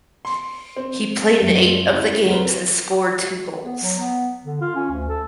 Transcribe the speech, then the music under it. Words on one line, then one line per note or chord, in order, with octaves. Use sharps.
He played in eight of the games and scored two goals.
C6
C4
F#2 A3
C#3 C#4 E4
C4 A#4 B4
B3
F#3
B3
D3
F4
C#4
D2
A4